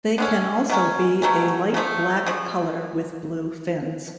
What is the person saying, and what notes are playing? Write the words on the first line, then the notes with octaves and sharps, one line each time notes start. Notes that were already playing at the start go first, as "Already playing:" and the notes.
They can also be a light black color with blue fins.
D3 G#3 C#4
B2 F#3 C#4
B2 F#3 A3 C#4
C#3 F3 A3
C#3 F3